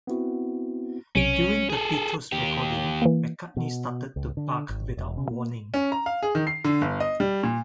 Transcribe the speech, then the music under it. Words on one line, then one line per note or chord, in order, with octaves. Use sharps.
During the Beatles recording, McCartney started to bark without warning.
B3 C4 E4 F#4
B1 C3 C#4 D7
G#4 A4
D#2 G4
E3 A#3
B2
C#2
D3
G#1
E1
C#3
A#3
C#4
A#5
F5
G#4
D#3
C7
D3
G1
D#5
G3
A#2